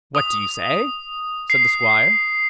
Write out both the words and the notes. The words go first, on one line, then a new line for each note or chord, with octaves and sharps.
'What do you say?' said the Squire.
D#6
C7